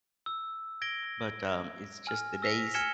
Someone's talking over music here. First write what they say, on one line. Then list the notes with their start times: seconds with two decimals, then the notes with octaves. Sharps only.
but, um, it's just the days,
0.26 E6
0.82 G#6 A#6 D7 G7
2.07 G#5 F6
2.42 E6 A#6 B6 F7
2.74 G#5 F6 G#6 C#7 E7 G7